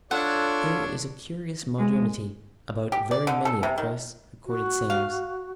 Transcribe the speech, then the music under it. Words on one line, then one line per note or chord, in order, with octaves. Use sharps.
There is a curious modernity about very many of Christ's recorded sayings.
D4 F4 A4 C#5 F#5
G#3
G4
D5
D3
A4
C3
D#3
F#4
F5